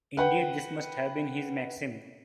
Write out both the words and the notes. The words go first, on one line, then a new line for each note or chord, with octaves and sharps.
Indeed this must have been his maxim.
B4 F#5 G5